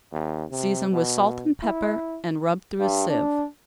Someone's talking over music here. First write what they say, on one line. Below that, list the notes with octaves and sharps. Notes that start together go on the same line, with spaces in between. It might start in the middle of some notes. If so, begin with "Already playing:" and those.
Season with salt and pepper and rub through a sieve.
D#2
C3
B2
E4
G2
D4